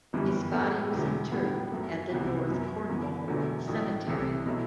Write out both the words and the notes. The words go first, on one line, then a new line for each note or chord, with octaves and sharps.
His body was interred at the North Cornwall Cemetery.
G1 F#2 E3 G3
A2 F#3 B3 E4 A4
E1 E2 D3 F#3
A2 G3 B3 F#4
F#2 F#3 A3
C2 C3 E3 B3 F#4
F#2 F#3 B3
F#2 E3 B3
E1 E2 D3 F#3 A3
A1 A2 F#3
C2 C3 E3 A3
B2 F#3 A3 E4